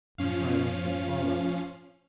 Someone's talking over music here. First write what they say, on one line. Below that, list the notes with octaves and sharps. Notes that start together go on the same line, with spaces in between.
A silence would follow.
F#2 A2 F3 C#4 F5